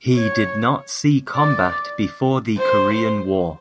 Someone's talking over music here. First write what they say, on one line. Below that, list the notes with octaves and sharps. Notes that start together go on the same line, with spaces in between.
He did not see combat before the Korean War.
C#5
D5
C5